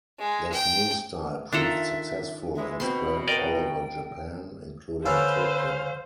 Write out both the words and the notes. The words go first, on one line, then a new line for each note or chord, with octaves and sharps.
This new style proved successful and spread all over Japan, including Tokyo.
G#3
G5
D#3 D4 F4 A4 E5 A#5
E3 G#3 E5
B2 C4 B5 C6
A#4 D5 D#5 G5
D3 C#4 A4 B4 C5 F5